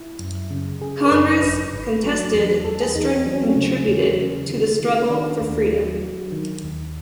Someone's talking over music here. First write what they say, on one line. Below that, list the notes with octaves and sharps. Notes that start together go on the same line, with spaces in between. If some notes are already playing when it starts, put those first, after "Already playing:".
Congress contested district contributed to the struggle for freedom.
Already playing: E4
F#2
C#3
C#3 G#4
A#4
F#2 B4
G#1 B4
G#1
F#3
E2
E2 A4
G#4
E2 D#4
C4
F#3 D4
C#4
C4
C#4
C#3
E2
C#3
D#3
D#3
D#3 D4
D#2
F#3
F#3
D#3
D#2